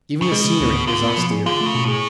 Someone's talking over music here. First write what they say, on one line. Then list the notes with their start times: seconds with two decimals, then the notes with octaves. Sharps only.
Even the scenery is austere.
0.22 C#3
0.31 B2 G#3
0.45 C#3
0.60 D2
0.74 B3
0.88 D3 F4
1.02 B3
1.07 B2
1.17 F3
1.31 G#4
1.46 D3 F4
1.61 C#3 A3
1.75 B2
1.84 A2 G#4